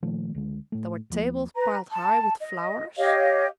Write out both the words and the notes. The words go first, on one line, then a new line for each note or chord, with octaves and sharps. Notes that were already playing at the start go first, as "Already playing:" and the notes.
There were tables piled high with flowers.
A#2 D#3 F3 A3
C#2 D3 G#3
A2 A3
D#2 F3 A#3
B4 A#5
A5
D#5
G4 C#5 D#5 F5